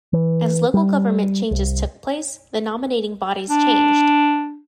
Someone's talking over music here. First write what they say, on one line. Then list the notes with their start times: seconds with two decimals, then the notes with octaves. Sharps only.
As local government changes took place, the nominating bodies changed.
0.13 E3
0.74 G3
1.51 C2
3.49 D4